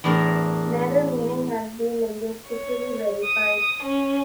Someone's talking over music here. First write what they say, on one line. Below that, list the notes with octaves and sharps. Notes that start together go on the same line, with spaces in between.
Neither meaning has been linguistically verified.
E2 A2 D4 A#4
C#5
D#6
C#4